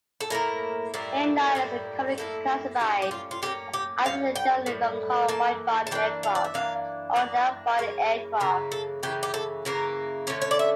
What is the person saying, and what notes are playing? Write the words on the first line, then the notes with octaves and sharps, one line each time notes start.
Airliners are commonly classified as either the generally long-haul widebody aircraft, or narrow-body aircraft.
A4
A2 G3 A#3 E4 A#4
A2 G3 A#3 E4
A2 G3 A#3 E4
A2 G3 A#3 E4 A4
A2 G3 A#3 C#4 G4
G4
F4
F4
A2 G3 A#3 C#4 G4
G4
A2 G3 C#4 F5
G5
A2 G3
E3 A#3 A5
A5
E3 A#3 D4 G5
F5
D5
E5
E3 A#3 D4 F5
E3 A#3 D4 D5
C#3 E3 A#3 C#5
C#3 E3 A#3 A#4
A4
C#3 E3 A#3 G4
G4
A4
C#3 E3 A#3 A#4
D3 A3 C#4 C#5
C#5
D5
E5